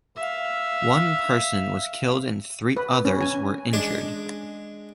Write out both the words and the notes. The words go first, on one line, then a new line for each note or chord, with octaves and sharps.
One person was killed and three others were injured.
E5 F5
B4
C#4
G#5
G#3 D4